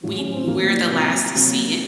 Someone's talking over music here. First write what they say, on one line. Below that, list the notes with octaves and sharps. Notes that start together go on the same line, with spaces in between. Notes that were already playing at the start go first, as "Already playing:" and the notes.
we we're the last to see it?
A2 F#3 F#4
C#4
C4
A2 F#3 A#3
C3 F#3
C3 F#3 A#3